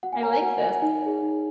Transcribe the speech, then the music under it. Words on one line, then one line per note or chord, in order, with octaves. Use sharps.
I like this.
F#4 F#5
G#5
A#4 C#5 A#5
G#5
F#4 F#5
F#5
A#4 C#5 G#5
F#5
D#4 G#5
G#4 C#5
D#4